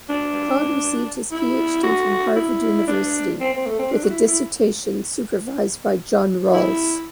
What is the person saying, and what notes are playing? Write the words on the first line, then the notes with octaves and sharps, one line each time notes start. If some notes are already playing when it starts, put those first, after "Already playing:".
Pogge received his Ph.D. from Harvard University with a dissertation supervised by John Rawls.
D4
E4
F#4
E4
D4
C4
C4
A3
C4
D4
F#4
E4
E4
E4